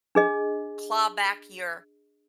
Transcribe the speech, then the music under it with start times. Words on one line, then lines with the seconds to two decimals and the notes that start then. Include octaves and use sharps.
claw back your
0.15 D4 G#4 D#5